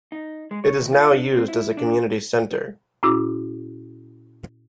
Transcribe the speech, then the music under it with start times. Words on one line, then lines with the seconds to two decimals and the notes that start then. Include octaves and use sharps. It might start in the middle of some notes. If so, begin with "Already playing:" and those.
It is now used as a community center.
0.12 D#4
0.51 G#3
0.64 C#5
0.81 D#2
0.93 F4
1.12 D4
1.34 C4
1.48 E4
1.77 D4
3.03 A#2 C#4 E4 F#4 D6 E6